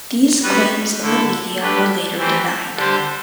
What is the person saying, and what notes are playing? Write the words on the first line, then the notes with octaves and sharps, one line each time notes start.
These claims in the media were later denied.
G3 B3 F#4 B4
D3 A3 E4 A4
A3 D4 G4 B4
E3 A3 C4 G4 C5
D3 G3 D4 G4 C5